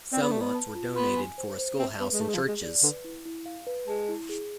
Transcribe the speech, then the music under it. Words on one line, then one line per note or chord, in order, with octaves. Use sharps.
Some lots were donated for a schoolhouse and churches.
C4 D5
B3
A3 B4
B3
A5
F4
B3 C6
G#5
C5
C5
C4 E5
B3 B4
G#3
A3 G#4
G#3
F3
G#4
G#3
D5
D3 B4
E4
E4
F5
B4
G#3 A5
E4
G#4